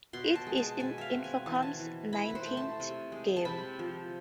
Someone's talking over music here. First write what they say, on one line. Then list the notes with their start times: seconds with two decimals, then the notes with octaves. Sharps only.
It is Infocom's nineteenth game.
0.13 B2 C6
0.35 A5
0.47 G#3
0.57 A5
0.80 B2 G#5
0.98 E5 F5
1.13 C4
1.24 G#5
1.46 E3 A5
1.55 G#5
1.62 A5
1.79 E3
2.13 E4 B5
2.30 B4
2.35 C5
2.46 A3
2.57 A5
2.80 C3
3.12 G#3
3.37 A5
3.45 C3 B5
3.79 F3